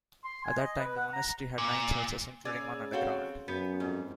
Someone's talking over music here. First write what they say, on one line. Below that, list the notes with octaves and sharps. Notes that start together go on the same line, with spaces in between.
At that time the monastery had nine churches, including one underground.
C6
G#5
D#5
B4
F#5
A#5
A#2
C#3 G#4 D5 D6 E6 F7
C4 F#4 A4 C#5 F5 G7
F#2 B3 G6 B6 C#7
F2 G#2